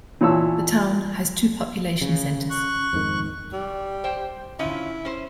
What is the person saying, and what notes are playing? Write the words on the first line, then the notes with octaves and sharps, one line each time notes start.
The town has two population centers.
A#2 E3 C#5 A5 E6
C#3
C#6 F#6
F2 G#2 D#3
G3
C5 G5
D3 C#4 E4 F4
C#4 C5